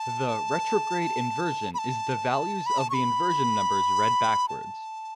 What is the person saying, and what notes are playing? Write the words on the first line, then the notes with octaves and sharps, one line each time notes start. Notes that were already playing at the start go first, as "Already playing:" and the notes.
The "retrograde inversion" is the values of the inversion numbers read backwards.
Already playing: A5
B5
A5
B5
A5
C#6
B5
A5